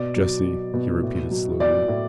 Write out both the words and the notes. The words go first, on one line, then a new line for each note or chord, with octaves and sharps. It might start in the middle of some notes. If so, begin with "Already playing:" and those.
"JESSIE," he repeated slowly.
Already playing: B2 D5
F#3
F#3
B2
A2
F#3
F#3 D5
A2